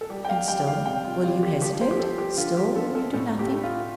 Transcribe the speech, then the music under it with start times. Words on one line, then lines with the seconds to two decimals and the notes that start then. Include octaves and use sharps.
And still will you hesitate; still will you do nothing?
0.01 A4
0.10 G3 G4
0.25 G5
0.29 F5
0.48 G3 G5
0.67 F5
0.86 C3 G5
1.05 F4
1.23 G3 F4
1.43 G4
1.62 F3 G4
1.81 C5
1.91 G4
1.99 F3 A4
2.18 G4
2.37 D3 F4
2.57 G4
2.76 D3 A4
2.95 A4
3.14 A2 A4
3.39 G4
3.51 A3
3.63 F4